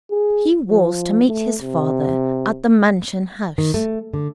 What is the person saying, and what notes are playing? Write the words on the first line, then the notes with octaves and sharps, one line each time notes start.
He was to meet his father at the Mansion House.
G#4
F3
A3
C3
D#3
A3
D3